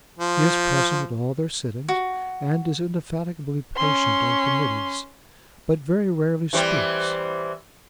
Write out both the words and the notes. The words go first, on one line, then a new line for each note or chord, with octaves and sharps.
He is present at all their sittings, and is indefatigably patient on Committees,--but very rarely speaks.
F3
F#4
C#4 C6
E3 G3 C4